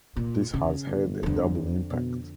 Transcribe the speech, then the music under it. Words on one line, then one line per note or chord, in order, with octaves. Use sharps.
This has had a double impact.
A#2
C#3
G1
F2 D3
B2